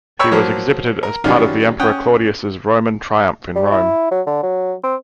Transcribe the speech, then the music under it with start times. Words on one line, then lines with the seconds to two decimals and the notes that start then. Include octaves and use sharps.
He was exhibited as part of the emperor Claudius's Roman triumph in Rome.
0.19 A#4 C#5 G5 B5 C#6 E6
0.31 F3 F#3 A#3
1.03 A#4
1.24 D#3 F#3 G3 C#4 D4 F4
1.79 C#4 F#5 G5 D#6
3.55 G3
3.72 E4
4.11 F#3
4.27 D3
4.43 F#3
4.83 C4